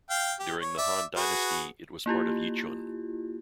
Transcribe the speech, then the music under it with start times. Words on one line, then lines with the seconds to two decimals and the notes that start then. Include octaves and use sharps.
During the Han dynasty, it was part of Yichun.
0.10 F5 G5
0.40 G4
0.62 C#5
0.78 D5 E5
1.17 F#4 G#4 B4
2.06 A#3 E4 F4 G4